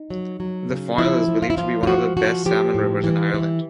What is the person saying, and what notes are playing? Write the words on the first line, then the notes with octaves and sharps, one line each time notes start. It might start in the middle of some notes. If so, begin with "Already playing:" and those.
The Foyle is believed to be one of the best salmon rivers in Ireland.
Already playing: D#4
F#3
F#3
C#3
F3 E4
F3
F4
E4
F3 F4
F4
F3 F#4
F3 F#4
F3 G4
A2
E3
E3